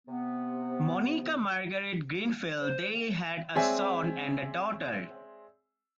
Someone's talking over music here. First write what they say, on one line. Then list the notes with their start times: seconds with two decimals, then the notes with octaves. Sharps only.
Monica Margaret Grenfell; they had a son and a daughter.
0.07 C3 B3
2.60 C5
3.55 G#3 C4 C#5 D5 E5 G#5